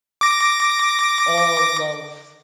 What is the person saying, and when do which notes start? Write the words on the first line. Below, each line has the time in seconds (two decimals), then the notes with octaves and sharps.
all love
0.21 D6 A#6